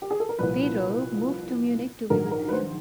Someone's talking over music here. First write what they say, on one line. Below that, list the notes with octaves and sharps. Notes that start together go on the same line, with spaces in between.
Perel moved to Munich to be with him.
G4
G#4
A4
A#4
C2 A#2 F3 B4
A#1 G#2 D#3 F#3 A#4
A#4
B4
C5